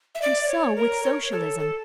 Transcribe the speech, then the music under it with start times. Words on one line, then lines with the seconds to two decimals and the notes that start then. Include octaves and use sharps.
And so with Socialism.
0.15 E5
0.22 D5
0.43 D5
0.48 C#5
0.76 A#4
1.04 C#5
1.31 A4
1.59 A4